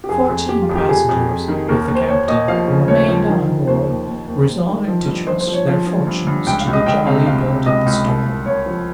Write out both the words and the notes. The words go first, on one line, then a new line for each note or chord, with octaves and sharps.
Fourteen passengers, with the captain, remained on board, resolving to trust their fortunes to the jolly-boat at the stern.
G4
F2 G#4
F2
F2 G4
F4
F2
G4
F2 G#4
F2
F2
D#3
D#2 A#4
A#4
D#2
C5
D#2 C#5
D#2 D#5
F3 F5
C#3
D#2 C#5
F3
D#3
D#3
D#2 C5
D#2
D#2
D#2
D#2
D#3
F3
G2
F3 C5
C5
F3
C#5
F3 F5
F3
G2
G2
C#2 G5
F5
C#2
D#5
C#2 G5
C3 F5
C#2 F5
C3
C#2 D#5
C#2
C2
C2
C2 C#5
F3